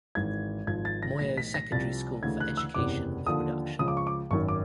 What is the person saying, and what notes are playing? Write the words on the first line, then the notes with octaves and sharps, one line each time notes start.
Moyo Secondary School for Education with Production.
G#1 G#2 E3 G#6
G#1 G#2 F3 G#6
A6
A#6
B1 A2 E3 A#6
B6
A#6
C2 C3 F3 A6
D2 C#3 E3 G#6
F#6
E6
F#1 E2 C3 E3 D6
D#2 D3 F3 D#6
C#2 C#3 F3 D#6
D6
C#6
D6
G#1 F#2 D#3 C#6
D6